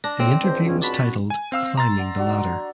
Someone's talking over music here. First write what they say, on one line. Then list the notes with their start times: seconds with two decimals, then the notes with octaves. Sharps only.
The interview was titled "Climbing the Ladder".
0.04 D4 A#6
0.20 A2 C4
0.43 C#2 C5
0.66 F3 C#4
0.82 F#4 D5 A5 B5
1.30 G#5
1.52 C4 F5 E6
1.77 A#5 C6 A6
1.97 D5 F#5
2.17 D4 F#4